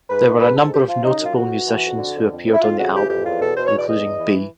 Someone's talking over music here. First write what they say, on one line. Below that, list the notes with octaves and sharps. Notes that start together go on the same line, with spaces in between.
There were a number of notable musicians who appeared on the album, including B.
G#2 B4
G#2
G#2 B4
G#2 A4
F#2 G4
F3 F4
C#3 D#4
F#2 F4
F2 F#4
E3
E3
F2
D3
F2
F2
F2
E4
F2 F4
C#3 F#4
E3 G4
F2 G4
E2 F4
B2 A4
B2 C5
C#5
E2
D5
E2 D#5
E2
E3